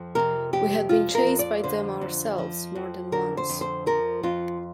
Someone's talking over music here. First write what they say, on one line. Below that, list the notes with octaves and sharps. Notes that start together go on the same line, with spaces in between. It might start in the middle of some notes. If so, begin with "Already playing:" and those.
We had been chased by them ourselves, more than once.
Already playing: F2 F3
C3 A#4
F2 G4
F3 F4
A#4
F2
D5
D3 C5
F2
F3
F2
D3 A#4
C5
F2
C5
F3 A#4
F2 F4